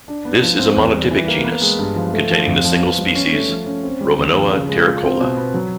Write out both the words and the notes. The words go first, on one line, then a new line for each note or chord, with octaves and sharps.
This is a monotypic genus, containing the single species Romanoa terricola.
D4
B3
F3
C4
E2
G3
E3
A#3
B3
G#3
G2
F3
A3
F3
F2
F3
B3
G3
C#4
A3
F3
C#4
C4
G3
D#2
F3
C#3
G#3
F4
C4
B2
B3
F#3